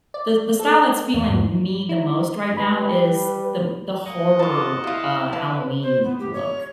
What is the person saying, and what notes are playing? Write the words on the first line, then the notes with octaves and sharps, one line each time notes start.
the the style that's feeling me the most right now is the the horror, uh, Halloween look.
D5
A4
E2
G#2
E4
G3 B4 B5
A#3 D#5 F#5
D4 F4 A#4 A5
G3 E4 F4 F5
B4 D5 F5 A5
C5
B3
G4
C#5